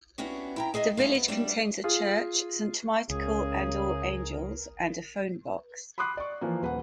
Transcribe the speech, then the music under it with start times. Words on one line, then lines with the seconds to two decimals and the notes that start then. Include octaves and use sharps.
The village contains a church, "Saint Michael and All Angels", and a phone box.
0.18 B3 C#4 D4 E4 F#4 G4
0.56 E4 G5 A#5
0.74 G#3 G#4 D#5 E5
0.97 G3 A3 G#4 C5 F5
1.15 B3
1.28 F#3 G3 A3 D4 D5
1.84 F4 G#4
3.10 C#2 C#3 G#4 A#4
5.98 B5 C6 D6 D#6 F#6 C7
6.17 D5 C#6
6.41 E3 F3 A#3
6.62 D#1 B4 F#5